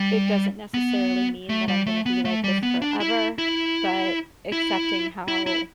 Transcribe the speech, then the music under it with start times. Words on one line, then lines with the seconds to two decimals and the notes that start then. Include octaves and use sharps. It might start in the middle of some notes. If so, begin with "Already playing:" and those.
it doesn't necessarily mean that I'm gonna be like this forever, but accepting how
Already playing: G3
0.74 B3
1.49 A3
1.68 G3
1.87 A3
2.06 B3
2.25 A3
2.44 G3
2.63 B3
2.82 D4
3.00 E4
3.38 E4
4.52 E4
5.28 E4
5.46 E4